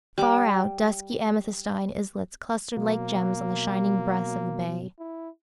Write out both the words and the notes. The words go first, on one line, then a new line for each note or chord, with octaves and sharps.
Far out dusky amethystine islets clustered like gems on the shining breast of the bay.
G3 D6
B2 F#3 A#3
E4